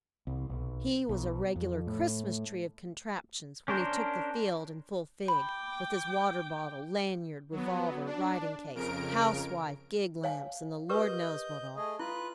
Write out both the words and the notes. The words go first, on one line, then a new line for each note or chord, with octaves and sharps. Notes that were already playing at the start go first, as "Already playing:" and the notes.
He was a regular Christmas-tree of contraptions when he took the field in full fig, with his water-bottle, lanyard, revolver, writing-case, housewife, gig-lamps, and the Lord knows what all.
C2
B1
B1
F2
A2
C#4 D4 A#4 C5
G5 B5 D6
F#3 B3
D4
F2 C#3 A#4 D7
C#5 F5 G#5
G4 A#4 B4 D#5 G6
A3 G#4 D#5
E4 F4 B4 F#6